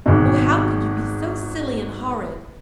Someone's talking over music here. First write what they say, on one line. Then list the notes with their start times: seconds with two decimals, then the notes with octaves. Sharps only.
Oh, how could you be so silly and horrid?
0.06 G#1 G#2 B2